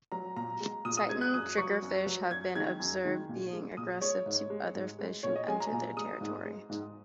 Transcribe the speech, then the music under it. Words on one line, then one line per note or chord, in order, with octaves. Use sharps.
Titan triggerfish have been observed being aggressive to other fish who enter their territory.
F#3 A#5
A#2 A#5
G#3
A#2 D#6
D#6
G#3 G#6
F#6
F#2 D#6
F#3 C#6
F#2
F#3
F#2 G#6
D#3 G#3 G#6
F#2
D#3 G#3
A#2
G#3
A#2 D#6
G#3 C#5
G#2
G#3
G#2
G#3
A#2 C#5
D#5
G#3 G#5
A#5
A#2
G#3 D#6
G#2
G#3
G#2